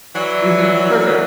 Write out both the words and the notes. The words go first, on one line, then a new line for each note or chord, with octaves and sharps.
Mhm. For sure.
E3 F#3 D5